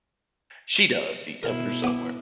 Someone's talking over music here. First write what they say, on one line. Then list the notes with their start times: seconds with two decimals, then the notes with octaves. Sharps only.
She does see out there somewhere.
1.43 B2 E4 A#4
1.84 B3 D6